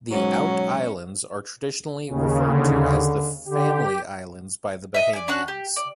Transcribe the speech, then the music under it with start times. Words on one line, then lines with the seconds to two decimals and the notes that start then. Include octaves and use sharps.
The Out Islands are traditionally referred to as the Family Islands by the Bahamians.
0.12 B1 G#2 F#3 C#4
2.07 D#2 C#3
2.43 D3
3.45 D3 G4
4.94 D#5 E5
5.13 D5 G#5
5.28 C#4 D4 F#4 F#5
5.48 G4
5.76 D5